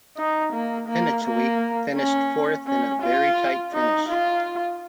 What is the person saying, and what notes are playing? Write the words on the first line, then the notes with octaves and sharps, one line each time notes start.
Penicuik finished fourth in a very tight finish.
D#4
A#3
A#3
A#3
C#4
C#4
F4
D#4
F4